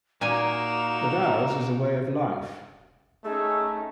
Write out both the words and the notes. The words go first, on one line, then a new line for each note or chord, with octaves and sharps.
But ours is a way of life.
A#2 A#3 D#4 F#4 G#5 A#5 E7
A3 C#4 D#4 G#4 E6